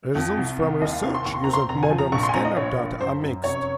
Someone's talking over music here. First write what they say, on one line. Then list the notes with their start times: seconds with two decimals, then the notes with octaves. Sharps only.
Results from research using modern scanner data are mixed.
0.15 F2
0.37 C2
0.59 C2
0.81 D#2 D#5
0.93 F5
1.03 C4 F5
1.15 C6
1.25 D#2 C#6
1.34 C6
1.44 C4 A#5
1.53 C6
1.69 F1 A#5
1.83 G#5
1.90 F3
1.98 A#5
2.12 A#1 C#6
2.23 C6
2.29 G#5
2.34 C4 A#5
2.45 D#5
2.57 A#1 C#5
2.78 A#3
2.99 F#2 C5
3.22 F#2
3.44 F1 C#5